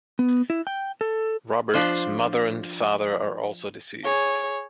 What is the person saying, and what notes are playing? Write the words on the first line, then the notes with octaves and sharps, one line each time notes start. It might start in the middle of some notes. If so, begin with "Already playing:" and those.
Robert's mother and father are also deceased.
B3
E4
G5
A4
F3 D4 F4 C5
G#4 C#5